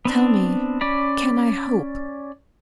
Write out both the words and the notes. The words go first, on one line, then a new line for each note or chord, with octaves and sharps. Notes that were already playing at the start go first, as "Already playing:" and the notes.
Tell me, can I hope?
B3 C4 D4
C#4 D5 B5